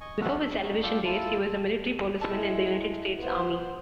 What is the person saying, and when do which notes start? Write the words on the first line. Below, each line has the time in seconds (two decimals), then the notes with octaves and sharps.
Before his television days, he was a Military Policeman in the United States Army.
0.01 D#5 G#5 C#6
0.22 F#4 A4 E5 F#5 F6 F#6
0.40 A4
0.62 C#4 D#4
0.83 F4 A4 D5 G5
1.05 E4 F4 A4 A5
2.21 A2 G#3 E4 A5
3.20 B3 C5